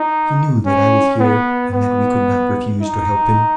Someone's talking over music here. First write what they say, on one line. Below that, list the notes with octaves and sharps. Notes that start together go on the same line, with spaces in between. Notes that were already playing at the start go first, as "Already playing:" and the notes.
He knew that I was here and that we could not refuse to help him.
Already playing: D#4
C#4
B3
B3
D#4